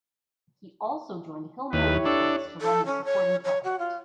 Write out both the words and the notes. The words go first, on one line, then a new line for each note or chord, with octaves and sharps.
He also joined Hill Motorsports to run the supporting Truck event.
D#2 E4 G4 B4 C#5
D4 A4
A4
C#4
C#5
C#5
F#4
F4